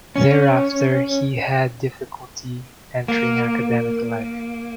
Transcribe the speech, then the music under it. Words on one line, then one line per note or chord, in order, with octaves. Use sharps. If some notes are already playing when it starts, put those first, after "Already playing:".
Thereafter he had difficulty entering academic life.
C#4
A#3